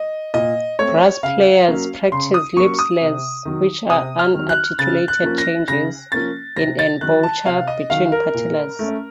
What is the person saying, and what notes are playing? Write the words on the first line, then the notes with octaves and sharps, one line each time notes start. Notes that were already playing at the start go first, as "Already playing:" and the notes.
Brass players practice "lip slurs", which are unarticulated changes in embouchure between partials.
Already playing: D#5
A#2 D#5
A3 C4 C#5
C#3 F5
F#3 A#3 C#4
C#3 C6
D#6
F#3 A#3 C#4 C#6
D#6
C3
D#3 F#3
C3 D#6
F6
D#3 F#3
F#6
C#3 A6
F#6
F3 A#3 C#4
A#6
C#3 A#6
F3 A#3 C#4 A6
C3 A#6
A6
D#3 F#3 F#6
A5
C3 F5
D#5
D#3 F#3 F5
A#4
A#2
A3 C#4